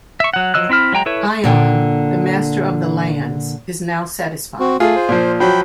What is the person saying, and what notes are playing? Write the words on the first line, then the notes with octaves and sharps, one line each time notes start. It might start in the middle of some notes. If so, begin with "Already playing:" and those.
Ion, the master of the lands, is now satisfied.
E5 C#6
F#3 F#5
F3 F#3 D#5 E6 F#6
C4 E4 B5 F6
F#3 G#3 G5 A#5
E4 A4 B4 C#5 E5
A#2 D3 G5
C4 F#4
A3 F4 G#4
C5
A#2 F3
F3 F#3 G5 B5